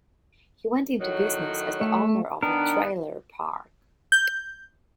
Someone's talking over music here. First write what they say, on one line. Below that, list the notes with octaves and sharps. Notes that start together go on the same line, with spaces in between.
He went into business as the owner of a trailer park.
A2 D#3 F#3
A3
D#3 B3 D4 A#4
G6